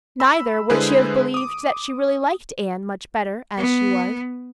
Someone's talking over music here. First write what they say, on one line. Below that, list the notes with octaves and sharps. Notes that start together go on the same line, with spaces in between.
Neither would she have believed that she really liked Anne much better as she was.
B5 E6
D3 G#3 E4 G#4 B4 C5
D6 D#6
B3